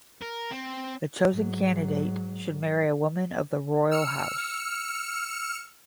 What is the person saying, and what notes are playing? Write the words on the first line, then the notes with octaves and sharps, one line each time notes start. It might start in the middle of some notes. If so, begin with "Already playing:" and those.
The chosen candidate should marry a woman of the royal house.
A#4
C4
G#2 F#3
E6 F6 C#7